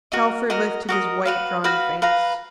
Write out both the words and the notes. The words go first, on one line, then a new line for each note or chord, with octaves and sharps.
Telford lifted his white, drawn face.
F#4 A#4 D#5
F#4 A#4 D#5
F#4 A#4 D#5
F#4 B4 F5
F#4 B4 F5
B4 F5 A#5